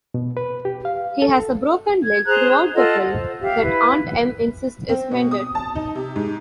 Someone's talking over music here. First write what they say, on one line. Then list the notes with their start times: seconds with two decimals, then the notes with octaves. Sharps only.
He has a broken leg throughout the film that Aunt Em insists is mended.
0.14 B2
0.37 B4
0.65 G4
0.85 F5
1.22 A4
2.04 G#6
2.26 G#4 C5 A#5 F#6
2.74 F4 A4 D#5 F#5
3.08 C5
3.41 G4 E5 F5
3.61 E4 B4
4.89 C4
5.11 B2
5.31 D#6
5.55 A5
5.75 D#4
5.95 C3
6.16 G#2